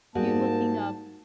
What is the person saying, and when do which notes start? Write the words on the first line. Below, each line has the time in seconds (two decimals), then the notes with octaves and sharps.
you're looking up
0.15 G#2 G3 A#3 F#4 G#4 A5